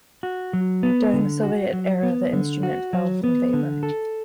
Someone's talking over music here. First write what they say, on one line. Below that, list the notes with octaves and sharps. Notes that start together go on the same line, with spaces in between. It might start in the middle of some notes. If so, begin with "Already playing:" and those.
During the Soviet era the instrument fell from favour.
F#4
F#3
B3
D3
F#4
F#3
B3
D3
F#4
F#3
B3
D3
A4